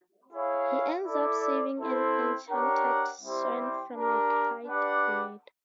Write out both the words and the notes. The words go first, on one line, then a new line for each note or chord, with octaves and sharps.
He ends up saving an enchanted swan from a kite bird.
E4 G#4 C#5 F5
E4 A4 D5
C4 E4 A4 C5
D4 G4 A#4 C#5 F#5
G3 C4 E4 G4 C5
D4 G4 A#4
D4 G4 B4 D5 F#5